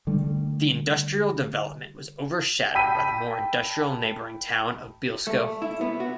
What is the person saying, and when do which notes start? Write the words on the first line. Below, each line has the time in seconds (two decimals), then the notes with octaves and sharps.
The industrial development was overshadowed by the more industrial neighbouring town of Bielsko.
0.07 D3 G3 A3
2.75 G5 A5 B5 E6 B6 D#7
5.27 A3
5.62 E4
5.81 B3
6.00 F#4